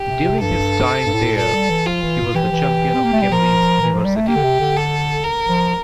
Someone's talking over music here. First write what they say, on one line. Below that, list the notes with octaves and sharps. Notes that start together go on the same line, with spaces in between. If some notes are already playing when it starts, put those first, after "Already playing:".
During his time there, he was the champion of Cambridge University.
Already playing: G4
C3
C3
G2 A4
G2
A2
A#2 A4
G3
E3
F3 F4
E3
E3 G4
F3
E3
C4
A#3
A3
G3
F3 A#4
E3
F3
G3
A3
A#3 G4
D3
C3
D3
A4
A#4
F3